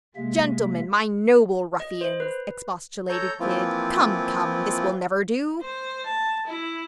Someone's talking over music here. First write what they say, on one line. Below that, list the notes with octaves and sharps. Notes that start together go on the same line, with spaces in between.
Gentlemen--my noble ruffians!" expostulated Kidd. "Come, come; this will never do!
C3 G#3 A#3 E5
D#5
C5
B4
A4 C#5 A#5 G6
E3 F3 A#3 C4 E4 F4
C5
A5
E4